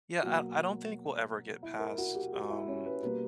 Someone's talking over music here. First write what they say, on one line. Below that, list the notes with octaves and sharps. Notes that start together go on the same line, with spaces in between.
Yeah. I I don't think we'll ever get past, um,
B2 F#3 A#3 F#4
E4
A#4
F#4
G4
G4
F#4
E4
C#4
B4
B2 G3 A#3 B4